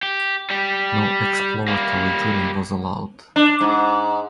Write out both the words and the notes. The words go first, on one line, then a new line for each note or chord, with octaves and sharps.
No exploratory drilling was allowed.
G4
G3 G4
G3 A#3
D4
G#2